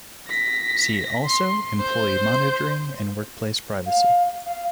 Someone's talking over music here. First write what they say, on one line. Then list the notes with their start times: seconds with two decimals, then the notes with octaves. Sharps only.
"See also Employee monitoring and Workplace privacy".
0.28 A#6 B6
1.25 C6
1.79 C5 G6
3.85 F5
4.45 F5